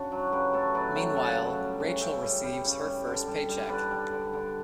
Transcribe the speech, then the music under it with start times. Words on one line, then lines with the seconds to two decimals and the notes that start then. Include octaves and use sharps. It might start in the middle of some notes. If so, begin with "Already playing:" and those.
Meanwhile, Rachel receives her first paycheck.
Already playing: C#3 D4 F#4
0.12 F#3
0.32 C#3 G4 B4
0.53 A3 A4 C#5
0.74 F#3 B4 D5
0.95 F#3 E5 G5
1.16 C#3 F#5 A5
1.38 C#3
1.59 G3
1.80 C#3
2.01 C#3 E5 G5
2.22 G3
2.43 G3
2.65 C#3
2.85 G3
3.07 D3
3.27 G3
3.49 G3
3.69 D3 B4 D5
3.91 G3
4.11 D3
4.33 D3